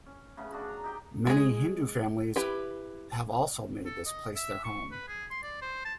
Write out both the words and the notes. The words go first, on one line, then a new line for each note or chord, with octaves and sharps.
Many Hindu families have also made this place their home.
C#4
C#3 A3 B3
D4 F#4 G#4
A#5
D#4 G4 G5
G#3 G#4
E4 G4 B4
A4
D#5
E5
C#6
B4
G#4
C6
D5
C5
A5